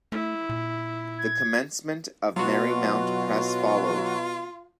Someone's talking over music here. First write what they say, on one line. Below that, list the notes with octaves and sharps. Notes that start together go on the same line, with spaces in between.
The commencement of Merrymount Press followed.
A3 E4
A#2
G#6
B2 F#3 F4 F#4